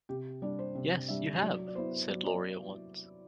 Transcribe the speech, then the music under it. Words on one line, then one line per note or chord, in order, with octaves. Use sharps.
"Yes, you have," said Laurie at once.
C3 G4
G3 D4 D5
C5
C3
G3 D4 E5
F#3 D5
D5
B3 E4 C5
F#3 D5
D5